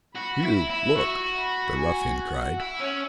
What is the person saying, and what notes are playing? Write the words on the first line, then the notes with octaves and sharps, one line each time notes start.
"You, look!" the ruffian cried.
F#4 B5
E4
E4
F#4 C#6
B5
G#5
F#5
E4 E5
C#4